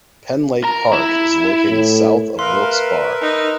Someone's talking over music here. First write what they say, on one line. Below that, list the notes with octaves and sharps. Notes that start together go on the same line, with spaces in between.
Penn Lake Park is located south of Wilkes-Barre.
A#4 A#5
E4
A2
A#4 B4 E5 F5 C6
D#4